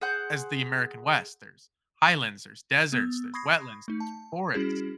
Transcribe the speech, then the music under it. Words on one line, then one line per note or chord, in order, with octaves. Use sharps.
as the American West. There's highlands, there's deserts, there's wetlands, there's forests.
G#4 C5 F#5 G6
B3 E6
B5 C#6 D#6 G#6 A#6 C7
A3 D#4
A5
G3 C#4 E4 F#4 G#4